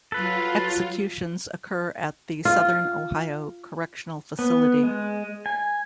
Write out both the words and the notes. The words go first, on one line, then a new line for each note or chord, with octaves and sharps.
Executions occur at the Southern Ohio Correctional Facility.
F#3 F4 A4 B4
F4
B3
G#3
G#5